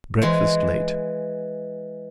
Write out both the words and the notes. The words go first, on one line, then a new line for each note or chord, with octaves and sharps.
Breakfast late.
E3 G#3